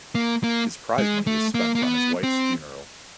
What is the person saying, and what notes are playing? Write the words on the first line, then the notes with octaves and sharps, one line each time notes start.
His prize money was spent on his wife's funeral.
A#3
A#3
G#3
A3
A#3
A#3
B3
C4